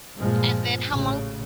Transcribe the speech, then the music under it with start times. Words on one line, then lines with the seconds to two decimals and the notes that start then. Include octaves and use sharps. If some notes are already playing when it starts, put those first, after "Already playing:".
And then how long
0.18 G2 A#2 F3 G#3
0.90 A1 C#3